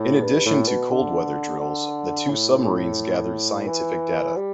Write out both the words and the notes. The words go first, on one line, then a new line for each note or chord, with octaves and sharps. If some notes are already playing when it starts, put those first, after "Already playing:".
In addition to cold-weather drills, the two submarines gathered scientific data.
Already playing: A2
G2
A2
B2
D3
D3
A2
E3
G3